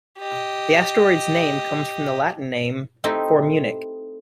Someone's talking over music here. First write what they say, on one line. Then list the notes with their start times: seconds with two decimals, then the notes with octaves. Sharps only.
The asteroid's name comes from the Latin name for Munich.
0.19 G4 D#5
3.04 A3 C4 D#4 E4 G4